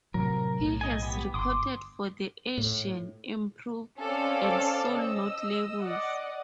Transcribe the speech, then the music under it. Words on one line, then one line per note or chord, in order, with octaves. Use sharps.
He has recorded for the Asian Improv and Soul Note labels.
A2 C3 F#3 A#4
B1 A2
D#5 G#5
B3 G4
G1 C6 D6 D#6
A2
C4 C#4 A4 C#5 D5 F5
D#5 E6
D5 D#5 F#5